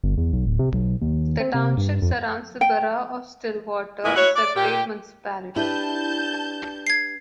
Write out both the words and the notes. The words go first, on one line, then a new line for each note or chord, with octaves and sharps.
The township surrounds the borough of Stillwater, a separate municipality.
G1
E2
B1
D1
C3
B1
D#2
C4
C3
G2
F2
G5
E2 A#2 G#3 E4 G#4
E4 F#4 C#5
D5
A#2 G4
D4 E4 G4 B4 A5 G6
G#6 C7